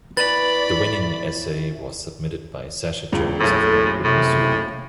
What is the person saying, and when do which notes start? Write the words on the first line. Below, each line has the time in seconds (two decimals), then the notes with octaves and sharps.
The winning essay was submitted by Sasha Jones of Brentwood, Missouri.
0.17 E3 B3 F#4 B4 D5 B5 A6 F#7
3.12 E1 C#2
3.40 F#1 B1 A2 A4
4.04 A2 C3